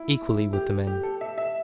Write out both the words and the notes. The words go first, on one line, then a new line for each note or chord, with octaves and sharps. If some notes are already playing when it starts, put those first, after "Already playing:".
Equally with the men.
Already playing: E4
G4
G4
A4
E5
E5